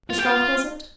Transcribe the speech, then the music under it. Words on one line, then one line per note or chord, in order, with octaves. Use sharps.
Whose fault was it?
F4
G4
F4